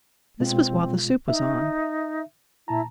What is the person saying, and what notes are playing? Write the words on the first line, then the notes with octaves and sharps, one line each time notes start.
This was while the soup was on.
B2 G#3 C4 F4
D#4 E5
A#2 E4 A5 A#5